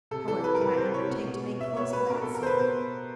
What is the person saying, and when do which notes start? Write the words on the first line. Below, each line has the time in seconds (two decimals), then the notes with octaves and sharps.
'However can I undertake to make clothes of that sort?
0.11 C3 A4
0.28 E3 A4
0.44 E3 B4
0.55 A#4
0.61 C3 B4
0.77 E3 C5
0.94 C3 C#5
1.10 B2
1.26 B2
1.43 B2
1.59 B2 E5
1.77 B2 C#5
1.93 B2 B4
2.10 B2 A#4
2.22 B2 A4
2.34 A#4
2.43 B2 B4 C5
2.59 B2 C5